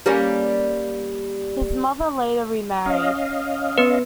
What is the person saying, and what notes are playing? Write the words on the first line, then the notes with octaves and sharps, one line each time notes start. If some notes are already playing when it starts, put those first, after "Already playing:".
His mother later remarried.
G3 A#3 C#4
C#4 D#5 F5
B3 B4